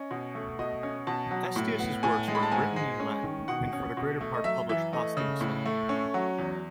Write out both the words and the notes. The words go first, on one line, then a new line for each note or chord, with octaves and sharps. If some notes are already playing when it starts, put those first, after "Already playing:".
Estius's works were written in Latin and for the greater part published posthumously.
Already playing: C#4 D#5
B2
A3
B2 D#5
C#4
B2 A5
F#3
A2
B3
A2 G#5
G#3
B5
A5
G#2 G#5
G#3
C#4
D#3
B2 F#5
C#4
B2
A3
D#5
F#2 E5
E3 E5
A3 D#5
C#3
A2
A3
C#4
F#3
E2